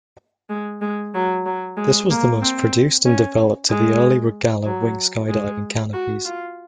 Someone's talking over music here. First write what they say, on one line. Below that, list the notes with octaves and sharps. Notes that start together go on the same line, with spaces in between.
This was the most produced and developed of the early Rogallo wing skydiving canopies.
G#3
G#3
F#3
F#3
G#3
A#3
C4
C#4
G#3
F#3
G#3
F#4
F4